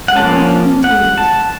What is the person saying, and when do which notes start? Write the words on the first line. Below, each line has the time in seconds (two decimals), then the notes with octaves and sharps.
Why, indeed?
0.08 F#5
0.16 F3 A#3 C#4 A5
0.84 F#5
1.18 A5